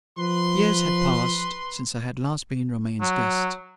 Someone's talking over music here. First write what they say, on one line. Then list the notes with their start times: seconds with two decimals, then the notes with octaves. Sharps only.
Years had passed since I had last been Romayne's guest.
0.18 F3 B4 C6
3.01 F#3